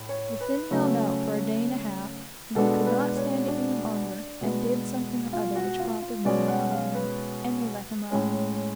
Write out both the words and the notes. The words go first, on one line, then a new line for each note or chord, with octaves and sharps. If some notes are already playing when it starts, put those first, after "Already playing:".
The Fin held out for a day and a half, when he could not stand it any longer, and did something or other which brought the wind round again, and they let him up.
Already playing: A2
C#5
B4
C#3 F#3 A3 C#4
B2 G#3 B3 D4 A4
B4
C#5
D4
B2 G#3 B3
F4
F#4
F4
F4
B2 G#3 C#4 D5
F#5
F5
B4
A2 G#3 C#4